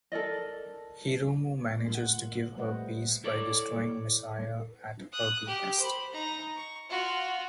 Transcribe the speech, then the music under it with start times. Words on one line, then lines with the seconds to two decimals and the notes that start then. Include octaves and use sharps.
Hiromu manages to give her peace by destroying Messiah at her behest.
0.12 A4 A#4 D5 D#5
1.66 A3 A#3
1.91 F4 F#5
2.45 A#2
2.57 G3 A3 B4 C5 D#5 F#5
3.24 E4 A4 C#5 D5
5.12 D#6 F#6
5.47 G4
5.80 C5 B5
6.12 D#4 A#5
6.56 C#6
6.89 F4 F#4